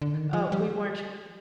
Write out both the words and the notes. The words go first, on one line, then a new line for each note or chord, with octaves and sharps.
uh, we weren't
D3
D#3
F3
G3